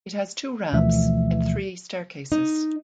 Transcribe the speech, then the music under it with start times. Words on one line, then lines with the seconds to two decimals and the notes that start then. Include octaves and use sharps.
It has two ramps and three staircases.
0.72 D2 B2 E3 F3 A3 E5
2.32 D#4